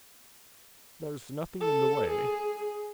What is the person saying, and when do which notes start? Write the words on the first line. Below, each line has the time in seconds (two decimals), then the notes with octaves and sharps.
There's nothing in the way.
1.61 A4
2.10 G#4